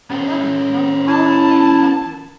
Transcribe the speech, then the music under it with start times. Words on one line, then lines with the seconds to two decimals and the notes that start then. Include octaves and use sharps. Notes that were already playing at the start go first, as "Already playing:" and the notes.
I love you, and I'll do all I can to help you.
0.10 C#4 G4
1.07 E4 A5